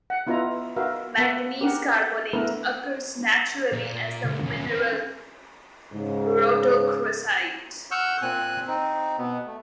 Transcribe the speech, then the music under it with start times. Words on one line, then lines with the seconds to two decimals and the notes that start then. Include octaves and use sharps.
Manganese carbonate occurs naturally as the mineral rhodochrosite.
0.10 F#5
0.27 B3 E4 F4 B4 D#5 A#5
0.76 D#4 F#4 A#4 B4 E5 F5
1.18 A#3 B3 B4 E5 F#5
1.61 G4 A#4 F#5
2.33 A3 B3 D4 E4 A#4 B4
3.73 A#2
4.24 C#2
4.43 D#2 C#4
4.67 B3 C4
5.93 G#2 C#3
7.91 F#5 C#6 E6 F6 G6
8.22 A#2 C4 G#5 F#6
8.67 C4 D#4
9.18 B2 B3
9.46 A3